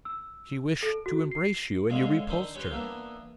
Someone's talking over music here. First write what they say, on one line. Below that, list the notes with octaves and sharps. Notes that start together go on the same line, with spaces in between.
"She wished to embrace you, and you repulsed her."
E6
A4
F#4
C7
D3 G#3 C#4 F4 G#4
D3 D#3 C5 B5 D#6
C#4 G4 B4 C5
E3 A#3 B3 D4